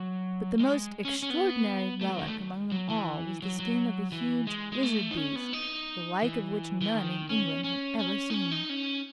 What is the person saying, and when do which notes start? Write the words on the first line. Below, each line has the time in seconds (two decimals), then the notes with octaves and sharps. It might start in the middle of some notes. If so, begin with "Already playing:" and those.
But the most extraordinary relic among them all was the skin of a huge lizard beast, the like of which none in England had ever seen.
Already playing: F#3
0.60 G#3
1.05 C#4
1.22 C#4
1.30 B3
2.01 A3
2.10 F#3
2.19 D#3
2.27 A3
2.72 F#3
2.90 E3
3.42 F#3
3.59 F#3
4.12 E3
4.47 G#3
4.72 G#3
4.83 A3
5.11 D#4
5.17 C#4
5.36 B3
5.53 D#4
6.23 E3
6.81 E3
6.94 D#3
7.29 C#4
7.64 C#4
7.99 C#4
8.30 D#4
8.34 C#4
8.52 D#4
8.69 C#4